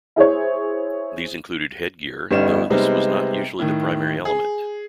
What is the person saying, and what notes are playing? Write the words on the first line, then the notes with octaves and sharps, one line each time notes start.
These included headgear, though this was not usually the primary element.
E4 G#4 C5 C#5
G1 G3 B3 C#4 D#4 E7
C3 G3 G#3 B3 C4 D#4
A2 D#3
G#4